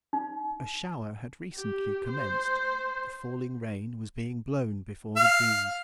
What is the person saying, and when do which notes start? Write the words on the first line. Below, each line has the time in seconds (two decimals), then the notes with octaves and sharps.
A shower had recently commenced,--the falling rain was being blown before the breeze.
0.13 D#4
1.55 G4
2.07 C5
5.16 F5